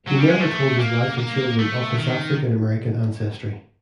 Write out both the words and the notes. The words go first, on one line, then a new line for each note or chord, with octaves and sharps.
He never told his wife and children of his African American ancestry.
F#3
G3
G#3
A3
A#3
A#3
A3
D#3